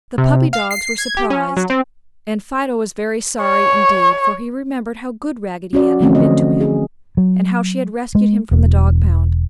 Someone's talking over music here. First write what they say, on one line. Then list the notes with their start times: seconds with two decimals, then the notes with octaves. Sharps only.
The puppy dogs were surprised, and Fido was very sorry indeed, for he remembered how good Raggedy Ann had been to him and how she had rescued him from the dog-pound.
0.18 C3
0.53 F5
0.71 C7
0.98 G#6
1.17 G4
1.30 C#4
1.57 F#3
1.70 C4
3.42 C#5
5.73 C#4 F#4 D5
6.01 D3 E3 F3 A3 C4 C#4
6.15 D3 D#5
6.61 G#4
7.17 F#3
8.15 G#3
8.51 E1